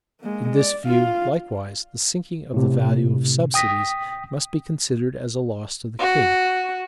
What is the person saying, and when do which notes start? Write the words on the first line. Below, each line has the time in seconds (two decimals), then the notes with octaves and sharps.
In this view, likewise, the sinking of the value of subsidies must be considered as a loss to the king.
0.21 G#3 A#3
0.56 D5
0.87 F4 F5
2.54 A2 C3
3.54 G5 D#6 A#6 B6
5.99 F#4